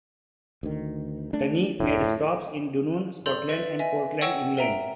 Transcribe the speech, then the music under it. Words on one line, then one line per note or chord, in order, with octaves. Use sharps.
Tunny made stops in Dunoon, Scotland and Portland, England.
D2 D#3
A3 D4
F1 D2 A2
A4 D5 C6 G6 F7 F#7
B4 E5 A6
D#5 E5 G#5
C#5 F#5 G5 C#6 E6 E7
A#4 E5 A#5 D7